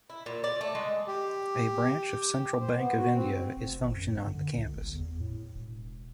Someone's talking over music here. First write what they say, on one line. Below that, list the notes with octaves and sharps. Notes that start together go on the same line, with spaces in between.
A branch of Central Bank of India is functioning on the campus.
E4
A#2
D5
A3
G#3
G4
C5
B3
F#4
C4
F1
G#1
F#2
D3
C#2
G1
E2
A2
E1